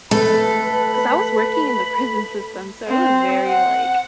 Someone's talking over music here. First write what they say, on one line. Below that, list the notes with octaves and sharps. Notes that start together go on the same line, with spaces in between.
'cause I was working in the prison system, so it was very, like,
A3 A4 B4 B5
C4
F#5